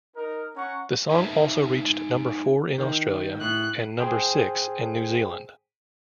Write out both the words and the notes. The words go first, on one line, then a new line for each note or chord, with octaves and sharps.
The song also reached number four in Australia and number six in New Zealand.
D#4 A#4
C#4 F#5 A#5 C#6
D#4 G#4 E5 F5 A5
D#3
A2 F#6
G#4 C5 G5